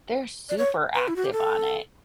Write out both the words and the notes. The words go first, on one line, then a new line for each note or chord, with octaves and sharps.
they're super active on it
D5
C#5
B4
E4
F#4
G4
A4